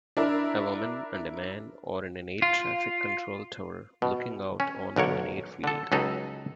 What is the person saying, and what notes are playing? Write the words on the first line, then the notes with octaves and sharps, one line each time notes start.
A woman and a man are in an airtraffic control tower looking out onto an airfield.
D4 E4 A#4 E5
F4
B2
C#4
B1 D3 A#4 C#5
D3 A4
C#2 F#3 D#4 A4 D#5